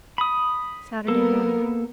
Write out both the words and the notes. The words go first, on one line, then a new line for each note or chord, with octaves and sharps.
Saturday morning.
B5 D#6
A#3 B3 A4 A#4